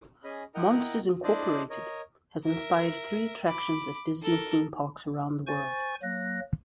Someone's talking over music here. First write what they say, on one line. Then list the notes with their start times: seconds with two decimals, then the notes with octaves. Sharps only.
"Monsters, Incorporated" has inspired three attractions at Disney theme parks around the world.
0.24 C#4 G#4 D#5 B5
0.55 E4 A#4 D#5 F#5 G5 A#5
1.23 D4 E4 C5 D5 D#5
1.70 A#4 C#5 D#5
2.45 A#4 E5
3.46 B5 D6
4.22 A4 A#4
5.47 C5 G#5 C#6 A6
6.02 F#3 A#3 F#6 A#6